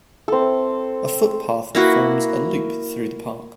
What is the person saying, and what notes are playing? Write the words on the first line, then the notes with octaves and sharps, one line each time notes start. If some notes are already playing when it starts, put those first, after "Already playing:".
A foot path forms a loop through the park.
C4 A4
A#3 E4 F#4 B4